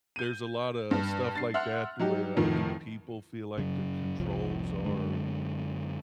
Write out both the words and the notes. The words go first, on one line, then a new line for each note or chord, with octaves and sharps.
there's a lotta stuff like that to where I think people feel like the controls are
G6 D#7
G2
A6 C7
E5 F#5 C6 F6 F#6
F#3 D#4 G4
F1 A2 D#3 F3
F#2 C#3
F1 C2 F3
F#2 D3 G#3